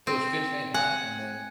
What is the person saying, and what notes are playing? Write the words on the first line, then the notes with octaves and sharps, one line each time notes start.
they would fish and hunt and then
C4
F#5 G#5